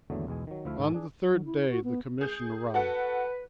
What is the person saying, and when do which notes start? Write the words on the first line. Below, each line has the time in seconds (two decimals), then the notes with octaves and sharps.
On the third day the commission arrived.
0.10 G#1 E2 D3 F#3 A3
0.27 B1 E2 G#3 G#5
0.47 D#3 F#3
0.65 D2 F3 A3 E4 E5 F5
0.78 G#2 D#3 A4 G#5
0.94 D4 G#4
1.24 F#3
1.45 E4
1.68 F#4
1.84 B3
2.21 G#4 G6
2.74 F#4 A4 B4 F#5